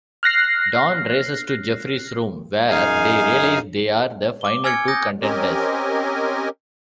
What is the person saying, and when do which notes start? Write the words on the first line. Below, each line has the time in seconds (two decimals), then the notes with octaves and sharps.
Dawn races to Jeffrey's room, where they realize they are the final two Contenders.
0.23 F6 F#6 A#6 C7
2.70 F#2 D#4 G#4 F5 G#5
4.41 D6 G7
4.64 G#5 E6 F6 G#6 C#7
4.88 D#6 G6 A#6
5.22 C4 C#4 G4 A#4 D#5 G#5